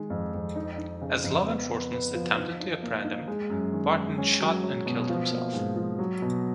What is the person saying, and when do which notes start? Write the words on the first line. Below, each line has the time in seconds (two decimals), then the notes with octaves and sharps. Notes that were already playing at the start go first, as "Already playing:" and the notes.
As law enforcement attempted to apprehend him, Barton shot and killed himself.
Already playing: D#3 G#3
0.10 F2
0.34 F2
0.56 D#4
0.78 D#4
1.02 C#3
1.24 F2
1.46 B3
1.70 B4
1.92 B4
2.15 F3
2.37 D#4
2.60 D#4
2.83 A#3
3.04 D#4
3.28 G#3
3.50 F#2
3.73 D#3
3.96 G#3
4.18 C#4
4.40 F#3
4.63 F#3
4.86 B2
5.09 F3
5.31 A#3
5.53 G#2
5.76 F3
5.99 F#3
6.22 B2